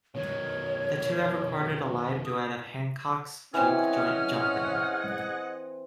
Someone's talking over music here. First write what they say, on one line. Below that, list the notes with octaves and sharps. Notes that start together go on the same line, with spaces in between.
The two have recorded a live duet of Hancock's "Juke Joint Jumpin'".
B2 D#3 C#5
D#6
E3 C4 C#4 G#4 D#5 F#5 F6